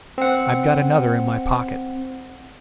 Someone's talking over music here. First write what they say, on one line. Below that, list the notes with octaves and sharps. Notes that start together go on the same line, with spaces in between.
"I've got another in my pocket."
C4 F#5